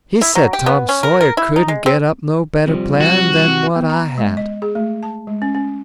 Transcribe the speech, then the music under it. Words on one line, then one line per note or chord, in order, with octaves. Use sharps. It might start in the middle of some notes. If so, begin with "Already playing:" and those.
He said Tom Sawyer couldn't get up no better plan than what I had.
E4
F#3
G4
B3
C#4
A#4
A#4
E4
D#4
G#3
C4
C3 F3 G3
F#4
C3
B3
A#5
G#3
D#5
G#4
A3
A5
G#3
C#4
C#4